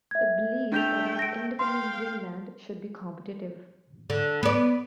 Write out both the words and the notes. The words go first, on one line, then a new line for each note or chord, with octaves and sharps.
It believes that an independent Greenland should be competitive.
E5 G#6
A3 D4 G5 G6 F7
A#6 D7
F5 G5 C6
D3
B3 D5